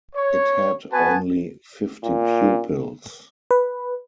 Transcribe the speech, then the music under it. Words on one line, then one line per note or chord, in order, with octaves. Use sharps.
It had only fifty pupils.
C#5
B3 F#4 B4 G#5 A5
A#2
B4